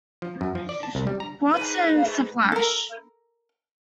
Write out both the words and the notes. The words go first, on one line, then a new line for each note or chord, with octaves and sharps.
Quartz and Sflash.
F3
F#2
F3
D5
A5
C2
G3
A#5
G#2 B4
A4 A#4